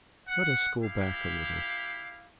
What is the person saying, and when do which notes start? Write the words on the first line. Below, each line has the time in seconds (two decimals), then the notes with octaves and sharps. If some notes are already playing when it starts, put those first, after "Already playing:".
Let us go back a little.
0.28 F#5
0.83 E4 G4 F5